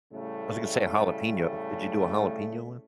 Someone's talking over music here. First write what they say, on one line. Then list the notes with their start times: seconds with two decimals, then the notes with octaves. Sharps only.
I was gonna say, jalapeno did you do a jalapeno one?
0.11 A2 C#3 G3 A3